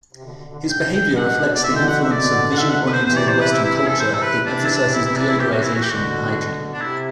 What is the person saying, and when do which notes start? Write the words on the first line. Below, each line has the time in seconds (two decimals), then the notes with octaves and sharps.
His behavior reflects the influence of vision-oriented Western culture that emphasizes deodorization and hygiene.
0.13 C3
0.23 B2 D3
0.34 B2 D3
0.46 B2 D3
0.58 B2
0.70 G2 G5
0.81 A2
0.94 B2 G5
1.05 B2
1.16 F#5
1.54 C3 D5
1.64 B2 D3 E5
1.76 G5
1.87 F#5
2.04 E5
2.11 B2 D3 D5
2.52 F#5
2.58 E5
2.69 F#5
2.86 B4
2.93 C5
3.04 C3 E3 C5
3.17 D5
3.28 C5
3.40 B4
3.52 E4
3.64 E4
3.76 E4
3.87 A4
3.99 C3 E3 C5
4.14 A4
4.22 B4
4.46 D4
4.66 E4
4.70 D4
4.93 E4
5.05 E4
5.16 D4
5.29 E4
5.39 G4
5.52 F#4
5.63 E4
5.75 F#4
5.83 G4
5.87 B2 D3 F#4
6.73 D4
6.81 C3 E4